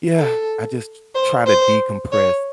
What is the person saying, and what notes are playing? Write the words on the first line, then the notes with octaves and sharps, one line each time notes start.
yeah, I just t try to decompress
A4
C5
C5
C#5